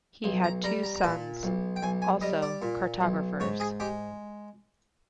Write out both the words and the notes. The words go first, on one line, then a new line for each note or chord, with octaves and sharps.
He had two sons, also cartographers.
B1
A#5
G3 A#5
A#5
A#5
A#2 A5
B1
G5
B1 G#5
G#5
G3 D#5
D5
A#2
B1
G#2 C#5
G#4
G#3 G4